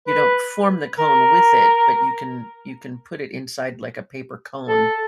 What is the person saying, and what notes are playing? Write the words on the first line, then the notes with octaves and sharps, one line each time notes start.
You don't form the cone with it, but you can you can put it inside like a paper cone
B4
A#4
A4